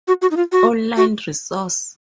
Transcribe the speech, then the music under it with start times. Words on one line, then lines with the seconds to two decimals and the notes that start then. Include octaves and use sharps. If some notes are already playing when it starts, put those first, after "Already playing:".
Online resource.
0.08 F#4
0.22 F#4
0.31 D#4
0.37 F4
0.52 F#4
0.97 F#4